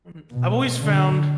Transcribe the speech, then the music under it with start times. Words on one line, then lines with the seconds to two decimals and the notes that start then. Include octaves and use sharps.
Mm, I've always found
0.31 B2
0.80 D3